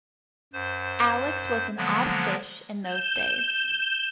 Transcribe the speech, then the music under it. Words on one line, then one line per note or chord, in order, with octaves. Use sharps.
Alex was an odd fish in those days.
F#2 C5 G6
D3 F3 F#3 G#3 A#3 B3
G6 E7